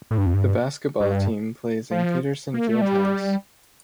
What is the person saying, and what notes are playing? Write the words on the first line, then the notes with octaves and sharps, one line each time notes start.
The basketball team plays in Peterson Fieldhouse.
A2
G2
F2
G2
G2
F3
A#3
A3
G3